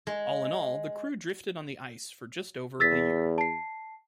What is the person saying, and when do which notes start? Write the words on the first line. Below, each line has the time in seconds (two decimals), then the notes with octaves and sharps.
All in all the crew drifted on the ice for just over a year.
0.07 G#3
2.80 E2 E6 A6 B6
3.38 A5 C7